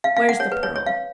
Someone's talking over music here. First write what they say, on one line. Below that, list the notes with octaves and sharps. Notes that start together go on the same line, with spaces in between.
Where's the Pearl?
F5
F5
F#5
C#5
B4
C#5
C#5
F5